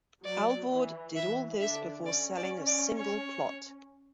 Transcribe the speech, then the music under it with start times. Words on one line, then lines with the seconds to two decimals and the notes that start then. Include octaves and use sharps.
Alvord did all this before selling a single plot.
0.23 F#3 D5
0.70 E3
1.15 E3 E5
1.61 D3 D4 E5
2.06 C#4 D5
2.37 D5
2.67 D5
2.97 C#5